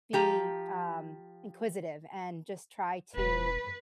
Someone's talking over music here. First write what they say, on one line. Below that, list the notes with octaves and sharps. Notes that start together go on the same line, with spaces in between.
be, um, inquisitive and just try to
F3 G4 A#5
E1 B4